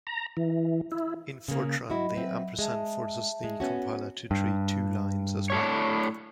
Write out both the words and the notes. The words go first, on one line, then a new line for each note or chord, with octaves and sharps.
In Fortran, the ampersand forces the compiler to treat two lines as one.
A#5
E3
E4
C#3 A#3
F#3 E4 F#4 D#5 B5
F#3 C4 B4 E5
G#3 E5 A5
G#3
B3 C#4 F#4
G2
A2 D4 C#5